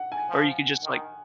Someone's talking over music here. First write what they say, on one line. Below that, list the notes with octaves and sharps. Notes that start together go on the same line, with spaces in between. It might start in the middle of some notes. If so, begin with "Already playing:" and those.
Or you could just, like,
Already playing: F#5
G#5
F3
D#3